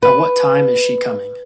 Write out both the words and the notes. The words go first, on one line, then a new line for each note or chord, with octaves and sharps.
At what time is she coming?
B4